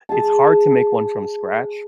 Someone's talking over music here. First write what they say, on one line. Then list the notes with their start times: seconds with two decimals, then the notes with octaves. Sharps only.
it's hard to make one from scratch.
0.09 G#4 A5